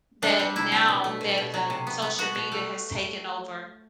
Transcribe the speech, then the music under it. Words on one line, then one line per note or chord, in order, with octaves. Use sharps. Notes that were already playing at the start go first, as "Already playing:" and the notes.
that now, that the social media has taken over
C4 D4
G3
C3 E4
C4
B2
A3
B2
B2
F#3
C3
B3
B3
B2 F#4
B2
A3